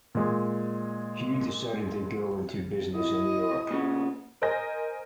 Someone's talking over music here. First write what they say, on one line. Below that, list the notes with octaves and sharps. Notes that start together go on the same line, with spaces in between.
Hugh decided to go into business in New York.
A#2 G#3
E4 D#5
A#2 C#3 B3
A#4 C5 D#5 G#5 G6 A#6